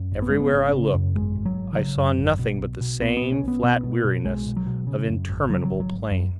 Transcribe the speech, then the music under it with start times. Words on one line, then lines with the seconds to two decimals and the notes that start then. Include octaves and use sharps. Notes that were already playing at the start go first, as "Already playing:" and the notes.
Everywhere I looked, I saw nothing but the same flat weariness of interminable plain.
Already playing: F#2
0.12 G#1
0.22 B3
0.30 G#1 G#3
0.40 B3
0.53 G#1 C#4
0.73 C#3
0.94 F#2
1.15 G#1 G#3
1.35 G#1
1.45 F#3
1.57 G#1
1.73 D#3
1.76 C#3 F#3
1.97 F#2
2.19 G#1
2.39 B2
2.59 B1
2.81 B2
3.01 B1 B3
3.17 B3
3.22 B2
3.32 C#4
3.43 B1 B3
3.64 B2 B3
3.84 B2
4.05 B2
4.25 B1 G#3
4.46 B2
4.56 F#3
4.66 B2
4.87 C#3
5.09 F#2
5.29 G#1
5.49 C#3 F#3
5.65 F#3
5.70 G#1
5.80 F#3
5.91 G#1
6.11 F#2